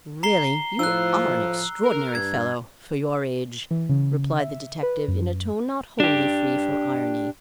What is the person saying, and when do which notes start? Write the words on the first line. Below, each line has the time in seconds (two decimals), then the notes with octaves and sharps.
"Really--you are an extraordinary fellow--for your age!" replied the detective in a tone not wholly free from irony.
0.23 A#5 C7 G7
0.79 A2 F3 E6 F#6
1.84 A#4
2.15 G2 G#6
3.71 E3
3.89 C#3
4.39 E5
4.83 B4
5.08 F#2
6.00 D4 G4